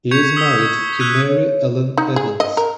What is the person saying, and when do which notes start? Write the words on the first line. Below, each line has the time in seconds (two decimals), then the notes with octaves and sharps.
He is married to Mary Ellen Evans.
0.11 C#6 G6 G#6 B6 C#7 F7
0.36 D#6 E6 B6 F7 G7
1.00 E6 F#6 G#6 B6 D#7 F7
1.28 C#5
1.98 D#4
2.16 G#4
2.40 D#5
2.57 A#4